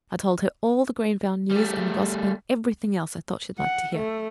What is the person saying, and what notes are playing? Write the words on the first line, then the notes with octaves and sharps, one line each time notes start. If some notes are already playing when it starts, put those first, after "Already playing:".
I told her all the Greenvale news and gossip and everything else I thought she'd like to hear.
G3 A3
F#5
A3